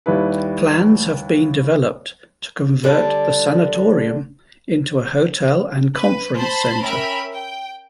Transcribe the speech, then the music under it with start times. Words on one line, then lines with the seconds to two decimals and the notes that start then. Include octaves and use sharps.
Plans have been developed to convert the sanatorium into a hotel and conference center.
0.06 D#2 G3 E4 B4
2.84 D3 G3
5.97 B4
6.37 C5 A5 B5
6.84 C#4 A#4 E5 G5 B5
7.33 G5